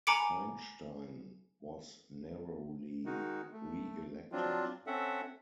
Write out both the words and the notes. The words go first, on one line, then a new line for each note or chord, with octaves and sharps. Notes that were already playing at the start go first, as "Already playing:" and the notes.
Feinstein was narrowly re-elected.
G#5 A#5 B5 D6 C#7 D7
D#3 G#3 D#4 F#4
A3
F3 F#3 C4 D4 F4
C4 C#4 A4 E5 F#5